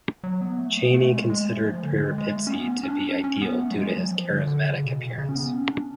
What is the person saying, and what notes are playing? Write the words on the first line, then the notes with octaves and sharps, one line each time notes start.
Cheney considered Piripitzi to be ideal due to his charismatic appearance.
F#3
B3
A3
B3
A3
G#3
G#3
A3
F3
D3
G#3
G#3
A3
C#4
B3
C#4
D4
C#4
C#4
B3
A3
F#3
G#3
F3
F#3
F3
D3
D3
C#3
B2
C#3
C#4
B3
C#4
D4